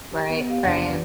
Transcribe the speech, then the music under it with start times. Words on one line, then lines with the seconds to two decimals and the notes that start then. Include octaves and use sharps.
Right, right.
0.11 G4
0.30 B3
0.49 G4 F5
0.63 E2 C3 D4 F#5
0.77 F4
0.89 E3 B4